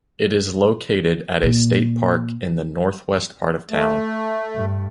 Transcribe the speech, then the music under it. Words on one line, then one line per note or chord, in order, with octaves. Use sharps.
It is located at a state park in the northwest part of town.
A#2
A3
G2